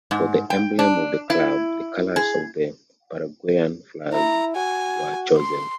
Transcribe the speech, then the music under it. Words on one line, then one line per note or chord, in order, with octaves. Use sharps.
For the emblem of the club, the colors of the Paraguayan flag were chosen.
G#2
G5
D4
E4
G#4
E4 A#5
F#4 G#5
C6